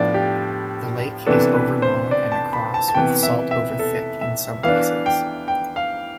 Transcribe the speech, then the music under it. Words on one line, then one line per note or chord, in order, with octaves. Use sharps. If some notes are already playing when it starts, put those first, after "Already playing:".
The lake is over long and across with salt over thick in some places.
Already playing: A2 F3 B3 D4 D5
G4
C3 E3 B3 D4 A4
B4
C5
D5
A5
B5
A5
A5
C3 E3 B3 G5
E5
E5
A4
E5
E3 B3 D4 F5
G5
G5
F5